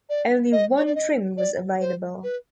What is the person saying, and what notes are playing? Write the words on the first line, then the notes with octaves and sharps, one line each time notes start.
Only one trim was available.
D5
D#5
C#5
D5
D#5
D5
C5
B4